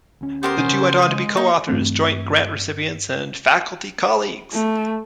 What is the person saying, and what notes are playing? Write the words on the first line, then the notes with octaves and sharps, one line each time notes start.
The two went on to be co-authors, joint grant recipients, and faculty colleagues.
D2 C#4
B3 G4 A#4 C5 C6
B2 E3 C#4
C#3
G#3 D#6
A#3 D#4
G2 E3 A3 C4
A3